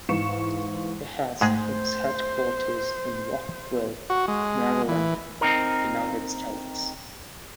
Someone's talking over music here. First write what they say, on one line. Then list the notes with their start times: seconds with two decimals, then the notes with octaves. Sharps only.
It has its headquarters in Rockville, Maryland, United States.
0.09 G#2 E3 F5 C#6 C#7 E7
1.41 G#2 G#3 A3 G#4 C5
4.10 F#4
4.28 G#3
4.88 E3
5.41 C4 D#4 A#4